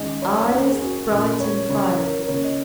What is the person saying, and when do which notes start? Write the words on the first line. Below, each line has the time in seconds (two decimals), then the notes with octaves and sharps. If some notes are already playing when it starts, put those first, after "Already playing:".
EYES--Bright and fiery.
Already playing: D#3 G#3 C#4 D#5
0.22 C#5
0.41 C#5
0.51 D#3 A#3 C#4 A#4
0.70 G#4
0.81 F#4
1.11 A#2 G#3 C#4 A#4
1.40 C#5
1.69 C#3 A#3 C#4 C#5
1.99 A#4
2.23 A#4
2.28 C#3 A#3 C#4 C#5
2.44 D#5